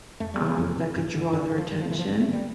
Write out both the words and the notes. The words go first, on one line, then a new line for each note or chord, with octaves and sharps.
um, that could draw their attention.
F2 A3
G3
C3
F3
F2
C3
G2
D3
G2 D3
E3
D3
F3
G2 G3
F3
D3 E3
F3
G2 C4
A3
D3
G3